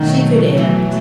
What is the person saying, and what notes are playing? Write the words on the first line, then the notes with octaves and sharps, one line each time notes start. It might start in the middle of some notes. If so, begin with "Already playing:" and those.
She could act.
Already playing: B2 D#3 F#3 A3
E3